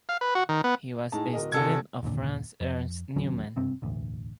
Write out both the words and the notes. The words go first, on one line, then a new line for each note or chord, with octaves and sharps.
He was a student of Franz Ernst Neumann.
F5
B4
F#4
D#3
B3
A2 D#4 G#4 A5
D1 A#4 D#5
E2 C3 A4 G#6
F#1 D#2 A#2 D3
F2
D1 D#2 F#3 C#4
F#1 G2 C3 C4
E1 A1 D2